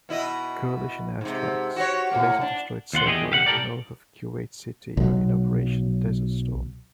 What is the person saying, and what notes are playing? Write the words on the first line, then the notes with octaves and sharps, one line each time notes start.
Coalition air strikes later destroyed several north of Kuwait City in Operation Desert Storm.
B2 E4 D#5
G#2 C3
F#4 G4 C#5
A2 C3 A#3
D4
D#2 F4 F#5 C6
E2 D3 G4 G#4 D#5
C2 G4 F5 F#5
A2 G4 A4 A#4 D5
B1 F#3